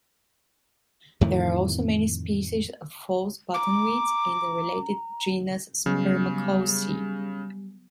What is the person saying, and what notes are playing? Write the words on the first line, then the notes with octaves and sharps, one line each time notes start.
There are also many species of False Buttonweeds in the related genus "Spermacoce".
F2 A2 D#3 E3
A#5 D6
C#3 F#3 G3 B3